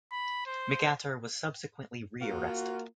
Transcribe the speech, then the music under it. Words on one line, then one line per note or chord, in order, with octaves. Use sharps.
McAteer was subsequently rearrested.
B5
C5
A#3 F4 F#4